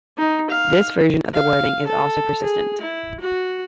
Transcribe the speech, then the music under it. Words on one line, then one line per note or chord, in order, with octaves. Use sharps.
This version of the wording is also persistent.
D#4
F5
F5
A4
G#4
E4
F#4